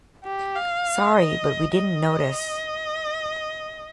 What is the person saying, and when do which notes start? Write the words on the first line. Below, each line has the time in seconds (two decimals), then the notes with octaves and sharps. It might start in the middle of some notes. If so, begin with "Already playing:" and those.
Sorry, but we didn’t notice.
0.24 G4
0.55 F5
1.15 D#5
1.75 D#5